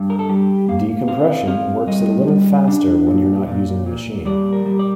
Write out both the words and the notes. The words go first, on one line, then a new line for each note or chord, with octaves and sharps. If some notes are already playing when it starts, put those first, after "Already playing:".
Decompression works a little faster when you're not using the machine.
Already playing: G2
A#4
A4
G3 G4
A#3 F5
C4 F5
C4 F5
G3 D#5
G3
D4
A#2
A#2
A#2
G3 D5
A#4
G3
D5